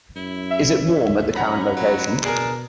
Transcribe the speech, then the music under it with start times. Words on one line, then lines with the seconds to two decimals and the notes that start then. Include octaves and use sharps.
Is it warm at the current location?
0.16 F#2 E4
0.50 E5
0.87 C#4
1.35 F#2 F#5 A#5 B5
1.77 F#3
2.25 B2 D4 G#4 A#4